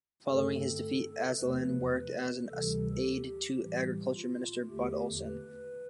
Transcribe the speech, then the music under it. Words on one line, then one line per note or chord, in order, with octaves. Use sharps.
Following his defeat, Asselin worked as an aide to Agriculture minister Bud Olson.
G2 D3 A3 C4 A4
E2 C3 F3 A3 B4
D2 C3 E3 G3 A4
G4
A2 E3 G3
F4
E2 D3 A3 G4
B4